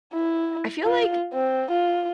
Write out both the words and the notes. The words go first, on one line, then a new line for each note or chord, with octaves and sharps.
I feel like
E4
F4
C4
F4